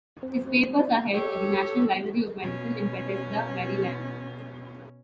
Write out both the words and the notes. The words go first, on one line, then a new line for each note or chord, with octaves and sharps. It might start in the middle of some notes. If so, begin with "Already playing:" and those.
His papers are held at the National Library of Medicine in Bethesda, Maryland.
C4 C5
G4 A4 C#5 E6
B2 C#4